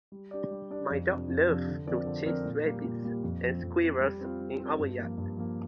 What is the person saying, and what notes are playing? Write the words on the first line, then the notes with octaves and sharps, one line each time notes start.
My dog loves to chase rabbits and squirrels in our yard.
G3
D4 G4 D5
G3
D4 G4 D5
F2
C3 F3 D4
F2
C3 F3 D4
D3
F3 C4 A#4 D5
D3
F3 C4 A#4 D5
A#2
G3 A#3 G4
A#2
G3 A#3 G4
F2
F3 C4
F2
F3 C4
G3
C4 F4
G3
C4 F4
G2
F3 A#3
G2
F3 A#3